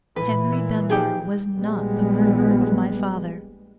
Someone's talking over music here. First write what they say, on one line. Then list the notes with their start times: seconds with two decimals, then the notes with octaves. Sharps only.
Henry Dunbar was not the murderer of my father.
0.16 A#2 E3 B4
0.52 E4
0.90 D#4 G4 G#4
1.57 A#1 G3 G#3 B3